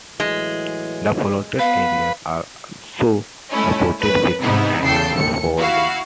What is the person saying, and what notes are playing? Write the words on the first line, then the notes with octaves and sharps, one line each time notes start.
The flooded areas also supported fishing and fowling.
A2 E3 F#3 G#3
B3 B4 F5
G#3 A3 C#4 E4
F#2 B4
G#2 C3 B3 D#4 E4
E2 C#3 A4 G5 C7
D#2 C#7
E4 F#4 F5